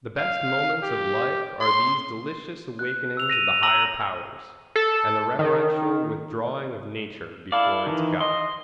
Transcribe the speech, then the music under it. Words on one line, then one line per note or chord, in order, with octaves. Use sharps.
The best moments of life are these delicious awakenings of the higher powers, and the reverential withdrawing of nature before its God.
F5
G4
C6
F#6
E6 F7
A#6 D#7 F7
A#5 E6 A#6 D#7 F#7
A4
D#3
E4 A4 D5 F5
D#3 E3 D#4
D#5 C6